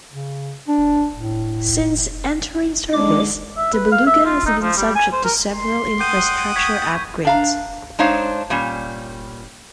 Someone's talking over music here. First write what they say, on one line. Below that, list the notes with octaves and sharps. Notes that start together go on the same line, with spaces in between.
Since entering service, the Beluga has been subject to several infrastructure upgrades.
C#3
D4
A2
D3 G#3 D4 D#4 D6
E5
B4
F5
E5
F4
D#4
F3
G3
G#5
C5
A#4
C6
F#5 G5 D#6 G6 D#7
C#6 G#6 B6
D4 F5 A#5
G#3 D4 D#4 C5 C#5 F5
A#2 G3 C#4